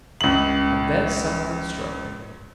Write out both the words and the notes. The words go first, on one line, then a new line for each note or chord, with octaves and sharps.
And then something struck me.
C#2 F#7